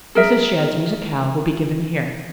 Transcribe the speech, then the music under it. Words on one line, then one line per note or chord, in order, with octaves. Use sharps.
Mrs. Shadd's musicale will be given here.
G#4 A#4 E5